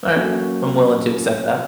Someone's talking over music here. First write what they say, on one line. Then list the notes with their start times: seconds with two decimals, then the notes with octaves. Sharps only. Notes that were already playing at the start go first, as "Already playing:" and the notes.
Alright. I'm willing to accept that.
0.14 F#3 A#3 C#4 A4